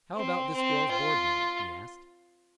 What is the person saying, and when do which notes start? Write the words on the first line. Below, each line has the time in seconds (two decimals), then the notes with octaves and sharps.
"How about this girl's board money?" he asked.
0.16 C4
0.54 C4
0.92 F4